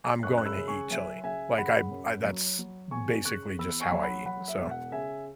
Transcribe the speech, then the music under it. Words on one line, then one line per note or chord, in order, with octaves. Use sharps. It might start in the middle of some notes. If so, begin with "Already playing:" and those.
I'm going to eat chili. Like, I'm I that's basically just how I eat, so,
F#2 C#6 F#6
F#6
B5 E6
C#3
G#5 C#6
F#3 E5 G#5
C#3 E5 G#5
C#3 F#5 B5
F#2
F#3
F#3
E2 G#5 C#6
C#3 C#6 F#6
E2 B5 E6
G#5 C#6
F#3
F#5 B5
F#3 F#5 B5
E5
E1
F#5
C#3 E5 G#5